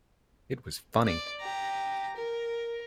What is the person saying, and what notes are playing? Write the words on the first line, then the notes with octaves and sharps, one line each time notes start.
It was funny.
D5
G4 A#5
A#4